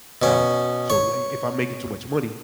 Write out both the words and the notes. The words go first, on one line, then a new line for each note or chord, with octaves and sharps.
now, so you I I if I'm making too much money,
B2 C#4
C#5